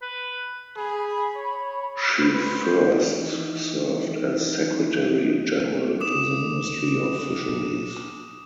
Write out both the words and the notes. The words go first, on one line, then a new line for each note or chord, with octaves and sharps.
She first served as Secretary General to the Ministry of Fisheries.
B4
G#4 B5
C#5
B4 C5
E3 D#4
D6 D#6 E7